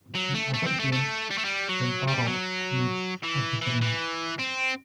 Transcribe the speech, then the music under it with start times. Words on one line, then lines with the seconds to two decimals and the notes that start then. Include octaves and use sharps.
In other games, Pentarou makes a fisherman.
0.15 F#3
0.34 A3
0.54 A3
0.66 C4
0.79 A3
0.92 A3
1.31 G3
1.38 A3
1.45 G3
1.69 F#3
2.08 G3
2.27 F#3
3.23 E3
3.61 E3
3.81 E3
4.39 C4